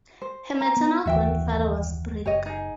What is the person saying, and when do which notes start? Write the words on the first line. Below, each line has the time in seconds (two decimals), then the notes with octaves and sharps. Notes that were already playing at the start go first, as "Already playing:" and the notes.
Her maternal grandfather was Brig.
0.22 C5
0.61 A#5
0.77 B3
1.05 F#1 D#2 E3 F#4 E5 G5
2.26 F#1 G4 C#5 D#5
2.46 D#4 G#4